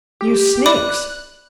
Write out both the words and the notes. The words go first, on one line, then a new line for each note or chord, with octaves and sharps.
You snakes!
G4
D5 B5 D6 F#6